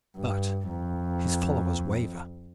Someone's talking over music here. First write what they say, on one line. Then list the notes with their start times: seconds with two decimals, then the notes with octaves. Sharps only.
But his followers waver.
0.17 G2
0.70 F2